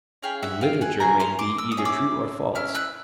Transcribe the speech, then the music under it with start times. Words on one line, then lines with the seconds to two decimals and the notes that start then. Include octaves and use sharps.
And literature may be either true or false?
0.22 C#4 E4 G#4 F5 G5
0.43 E5 F#5
0.61 F5 G5
0.81 F#5 G#5
1.00 C#4 E4 G#4 G#5 A#5
1.20 A#5 C6
1.39 C6 D6
1.58 E6
1.72 D#6
1.77 C#4 E4 G#4
1.85 D6 E6
2.55 C#4 E4 F6
2.74 E6 F#6